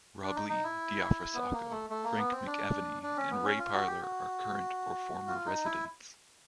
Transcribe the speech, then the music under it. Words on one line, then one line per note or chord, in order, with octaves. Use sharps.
Rob Lee, Diafra Sakho, Frank McAvenie and Ray Parlour are current or former residents.
D4
D#4
D#4
E4
B3
A#3
A3
A3
A#3
B3
C4
D4
D4
C#4
B3
C#4
F4
F#4
G4
F#4
F4
D#4
E4